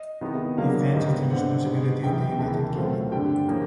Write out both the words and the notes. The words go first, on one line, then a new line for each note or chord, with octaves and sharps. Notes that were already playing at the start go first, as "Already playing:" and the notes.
Defence is the responsibility of the United Kingdom.
Already playing: D#5
C3 D#3 G#3 B3 E4
C#3 F#3 A#3 D4 F5
G#2 D#3 G3 B3
D3 G3 C4 F#5
B2 G#3 B3 D#4
F#2 C#3 E3 G#3 B3 G5
D#2 C#3 E3 G#3 A5
A2 F#3 A3 C4 F4
G2 D3 G3 G5
C#3 F3 A#3 C#4